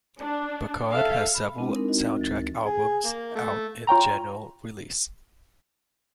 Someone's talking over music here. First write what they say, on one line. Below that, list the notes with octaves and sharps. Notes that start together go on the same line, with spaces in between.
Burkhard has several soundtrack albums out in general release.
D4
A4 E5 F5
B5
G#3 C4 D4 E4
C4 D4 D#4 A#4
D#4 F#4 D#5
D2 E3 A6
G#4
A#3
A3
F4 C#5 G5 A#5